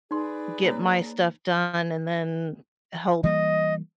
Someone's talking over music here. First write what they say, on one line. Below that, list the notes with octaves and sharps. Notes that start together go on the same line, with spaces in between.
get my stuff done and then help
D#4 G#4 B4 D5 C6
A#3 C#5 A#5
E3 G3 A#3 D#5